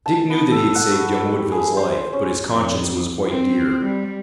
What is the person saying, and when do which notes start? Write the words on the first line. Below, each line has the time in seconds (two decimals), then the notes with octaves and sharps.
Dick knew that he had saved young Woodville's life, but his conscience was quite dear.
0.06 A5
0.30 B3
0.52 A4
0.75 F#5
0.91 F#4
1.33 G4
1.52 G#4
1.77 C5
2.13 C#4
2.50 F2
3.28 C4
3.81 G3